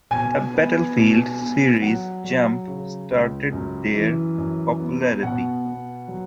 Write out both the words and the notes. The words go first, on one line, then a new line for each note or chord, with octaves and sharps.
The "Battlefield" series jump-started their popularity.
B2 G#5
B3
B2
B3
F#3 F#5
F#3
C#3
C#2
F#2
E3
F#2
B3
B2 F#5
B3
F#3